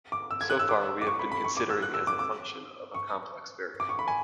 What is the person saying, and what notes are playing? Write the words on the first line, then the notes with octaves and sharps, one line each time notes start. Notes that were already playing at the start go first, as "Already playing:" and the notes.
So far we have been considering as a function of a complex variable.
D6
E6
G#6
F#6
E6
D6
D6
C#6
B5
B5
C#6
D6
E6
F#6
E6
D6
D6
C#6
D6
C#6
B5
G#5